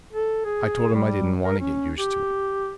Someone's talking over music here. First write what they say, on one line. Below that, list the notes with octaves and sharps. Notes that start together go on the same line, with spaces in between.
I told him I didn't want to get used to it.
A4
G#4
G3
A#4
C#4
G4